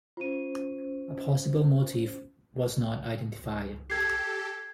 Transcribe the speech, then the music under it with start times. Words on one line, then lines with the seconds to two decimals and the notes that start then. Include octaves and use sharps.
A possible motive was not identified.
0.17 C#4 F4 C5 D#7
3.90 G4 A4 G#6 C7